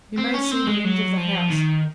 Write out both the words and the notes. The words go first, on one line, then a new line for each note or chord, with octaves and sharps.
You may see the end of the house.
C4
C#4
C4
G#3
F#3
F3
D#3